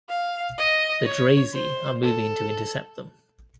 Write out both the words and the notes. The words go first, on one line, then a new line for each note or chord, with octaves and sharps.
The Drazi are moving to intercept them.
F5
D#5
C#5
C5
A4